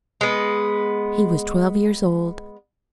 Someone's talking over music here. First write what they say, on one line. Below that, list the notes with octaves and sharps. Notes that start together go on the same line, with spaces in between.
He was twelve years old.
G#3 B3